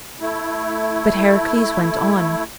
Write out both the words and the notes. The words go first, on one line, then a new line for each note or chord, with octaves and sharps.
But Heracles went on.
A3 E4